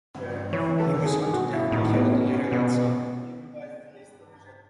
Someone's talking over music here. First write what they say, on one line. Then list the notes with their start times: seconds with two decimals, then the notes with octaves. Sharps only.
He was hunted down and killed later that summer.
0.53 E3 C#5
0.80 A4
0.86 C#3
0.92 D#3
1.06 G#4
1.32 B2 F#4
1.53 E4
1.72 A2 D#4
1.93 B3
2.12 C#4
2.33 C#4
2.52 B2 B3